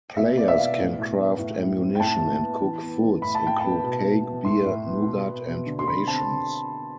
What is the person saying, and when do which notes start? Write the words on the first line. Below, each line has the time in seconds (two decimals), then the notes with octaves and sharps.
Players can craft ammunition and cook foods include cake, beer, nougat and rations.
0.17 B2 E5
0.37 B3 D5
0.48 E5
0.58 B2 F5
0.77 A2
0.98 A2
1.19 B3
1.39 A2
1.60 A2
1.80 C4
1.95 G5
2.00 A2 A5
2.20 A2
2.41 B3
2.62 E3
2.82 B3
3.02 E3
3.22 A2 B5
3.35 A5
3.43 A2 G5
3.60 B3 A5
3.84 B2
4.04 B2
4.25 B3
4.45 A2 C6
4.65 A2
4.85 B3
5.06 B2
5.26 B3
5.46 B2
5.66 D3
5.79 C6
5.87 D3 B5
6.08 C4 A5